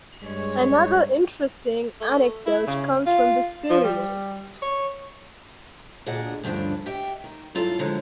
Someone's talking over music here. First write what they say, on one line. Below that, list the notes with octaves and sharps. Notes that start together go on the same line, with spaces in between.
Another interesting anecdote comes from this period.
G2 G#3 C#5
A3
E4
C#3
F4
F3
G3
C#5
D2 A#2 D4 G#4 D#5 F#5
D2 G2 C#3 F3 D4
G4 D#5 E5 G5
D#3
G2 F#3 E4 F4 A4 D5
D3 F3 F#3 G#3